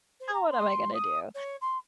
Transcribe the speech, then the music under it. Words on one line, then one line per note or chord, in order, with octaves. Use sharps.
“Now, what am I gonna do?"
C5
A#5
C6
D#6
C#5
C6